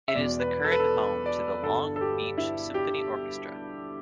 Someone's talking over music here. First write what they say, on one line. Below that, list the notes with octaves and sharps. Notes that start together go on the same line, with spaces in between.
It is the current home to the Long Beach Symphony Orchestra.
E5
E1 E2 B2 D5
B4
A4
B4
A4
D5
G1 G2 D3 A4
A4
G4
E4
G4